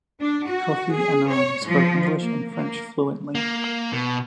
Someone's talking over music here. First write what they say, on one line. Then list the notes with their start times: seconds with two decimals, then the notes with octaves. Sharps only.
Kofi Annan spoke English and French fluently.
0.22 D4
0.50 F#4
0.95 G#4
1.31 C#5
1.68 F3
2.22 A#3
2.53 A#3
3.35 A#3
3.93 B2